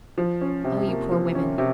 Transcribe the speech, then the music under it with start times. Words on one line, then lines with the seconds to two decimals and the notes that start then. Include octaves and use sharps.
O you poor women!
0.18 F3
0.41 C#4
0.64 C3
0.88 A#3
1.11 F3
1.35 C#4
1.58 C3